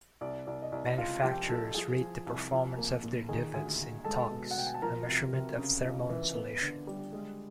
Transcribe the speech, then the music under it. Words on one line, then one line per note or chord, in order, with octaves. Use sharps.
Manufacturers rate the performance of their duvets in togs, a measurement of thermal insulation.
C2 D5
C2 D5
D#5
C2 D5
C#2 F4 F5
F3 G4 G5
F3 A4 A5
F3 G#4 G#5
F3
C2
F3
A#3
A#2
D#3 G#4 G#5
D2 G#4 G#5
D2
G#3 A4 A5
B2
F#5
B2 G5
G#5
A5
F3 A#4 A#5
C3
C3
C#3
C#2
E3
B3
D3
G3
G#3